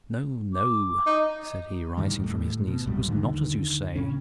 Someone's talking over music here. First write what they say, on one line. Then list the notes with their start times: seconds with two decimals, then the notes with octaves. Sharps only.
"No, no," said he, rising from his knees, "it was not as you say."
0.53 D6
1.06 D#4
1.97 D#2 A2 D#3 G3
2.24 A2
2.68 B2
2.86 A#1 F#2 A2 G3
3.07 D#2 D3 D#3
3.96 A2 C#3 C#4